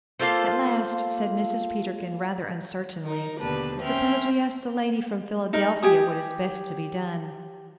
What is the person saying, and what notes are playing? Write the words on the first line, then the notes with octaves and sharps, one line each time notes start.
At last said Mrs. Peterkin, rather uncertainly, "Suppose we ask the lady from Philadelphia what is best to be done."
A#3 F4 A4 C5
D#4 A#4
D#2 B2 D3 G4 B4 A5
C#4 C5 E5 G5 F6
D#4 A#4
G4 G#5 D#6